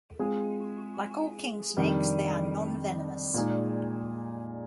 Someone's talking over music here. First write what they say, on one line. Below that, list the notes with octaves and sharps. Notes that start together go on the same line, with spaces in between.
Like all kingsnakes, they are nonvenomous.
G#3 C4 F4 G#4
F2 C3 D#3 G3 D4
A#2 G#3 D#4 G#4 D5